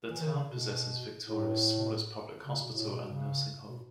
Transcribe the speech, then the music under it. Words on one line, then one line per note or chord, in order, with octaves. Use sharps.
The town possesses Victoria's smallest public hospital and nursing home.
E3
D#3
C#3
B2
A2
C#3
B2
A2
B2
C#3
B2